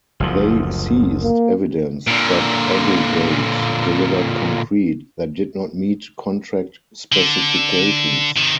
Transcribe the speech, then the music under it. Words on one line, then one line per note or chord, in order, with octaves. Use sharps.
They seized evidence that Aggregate delivered concrete that did not meet contract specifications.
F#1 D2 F3
A#3
A#2 D3
D3
C3 D#3